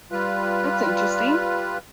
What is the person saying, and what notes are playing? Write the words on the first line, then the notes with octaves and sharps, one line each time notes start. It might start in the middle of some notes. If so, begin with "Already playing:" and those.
That's interesting.
G3 F4 B4